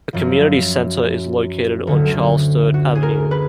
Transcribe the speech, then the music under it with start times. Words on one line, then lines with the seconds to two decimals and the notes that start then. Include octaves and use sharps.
A community centre is located on Charles Sturt Avenue.
0.13 F#2 F3
1.87 D2 D3 F#3
2.74 F#4
2.95 G#4
3.03 A#4
3.31 B4